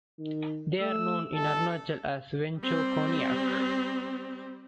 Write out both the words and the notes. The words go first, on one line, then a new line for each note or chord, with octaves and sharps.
They are known in Arunachal as Wancho Konyak.
D#3
A3 E6
G1 A4
G3 C4